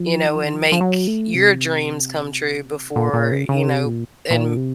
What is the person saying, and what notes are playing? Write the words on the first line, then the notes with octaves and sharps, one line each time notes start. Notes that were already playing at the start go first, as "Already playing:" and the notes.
you know, and make your dreams come true before, you know, and
Already playing: F3
D#3
F3
D#3
F3
F3
F#3
A3
C3
A#2
A#2
C#3
C#3
C3
A#2
A#2
C3